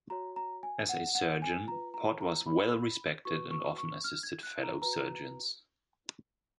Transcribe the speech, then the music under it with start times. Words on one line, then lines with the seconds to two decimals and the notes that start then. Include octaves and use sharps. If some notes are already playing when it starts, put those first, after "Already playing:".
As a surgeon, Pott was well respected and often assisted fellow surgeons.
0.10 F#4 C#5 A#5
0.36 A#5
0.63 G#5
0.89 F#5
1.15 F#5
1.42 G#5
1.67 F4 B4 A#5
1.94 A#5
2.21 A#5
2.46 B5
3.25 F#4 B4 C#6
3.51 C#6
3.78 C#6
4.04 F6
4.23 G#6
4.43 F#6
4.63 A#5
4.82 F#4 B4 A#5